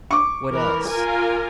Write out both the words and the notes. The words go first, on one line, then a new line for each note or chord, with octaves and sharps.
"What else?"
C#6 D6
E3 A#4
F4 A#4 G#5